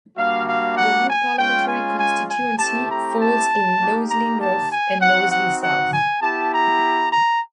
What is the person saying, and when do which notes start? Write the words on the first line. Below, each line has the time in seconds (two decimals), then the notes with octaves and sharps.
The new parliamentary constituency folds in Knowsley North and Knowsley South.
0.15 G3 A#3 D4 F#4 F5
0.47 F5
0.76 F#5
1.07 G#5
1.37 G#3 C#4 F4 G5
1.67 G#5
1.97 G#5
2.28 G#5
2.58 A3 C4 E4 G4 A5
2.89 A#5
3.19 A5
3.79 A#3 D#4 G4
4.09 A#5
4.40 A5
4.70 G#5
5.00 C4 D#4 F#4 F#5
5.30 F#5
5.60 F#5
5.91 G#5
6.21 B3 E4 G4 A5
6.52 A#5
7.11 A#5